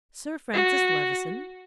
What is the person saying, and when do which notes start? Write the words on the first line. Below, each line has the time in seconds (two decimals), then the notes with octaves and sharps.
Sir Francis Levison?
0.54 F#4